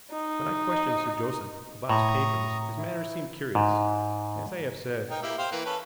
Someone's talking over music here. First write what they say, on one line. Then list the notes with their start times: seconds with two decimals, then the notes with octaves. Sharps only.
When I questioned Sir Joseph about his papers his manner seemed curious, as I have said.
0.13 D#4
1.89 A2 A#5 C#6 D#6
2.77 E4
3.55 G#2
5.11 D#4 A#4 G5
5.22 A#3 E4 G4
5.38 C5 F5 G5
5.52 E3 A#3 B4
5.65 C#4 A4 B4